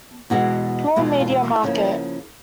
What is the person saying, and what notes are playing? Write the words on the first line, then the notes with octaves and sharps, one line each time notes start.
Paul media market.
E2 B2 G#3 F#4
E2 B2 G#3 F4
F4
E4
C#3 F3 A#3